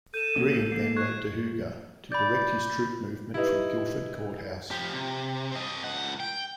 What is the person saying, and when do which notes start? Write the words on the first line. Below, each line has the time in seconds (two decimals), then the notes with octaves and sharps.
Greene then wrote to Huger to direct his troop movement from Guilford Courthouse.
0.14 A4 G6 D#7 E7
0.36 A1 A#3 C#4
0.72 A#3 C7
0.96 C#6 F#6 G#6
2.12 D5 B5 G6
3.34 D#4 E4 G4 B4
4.71 F3 G4
4.94 C3
5.52 C4 D#5
5.84 C#2 F#5
6.20 G5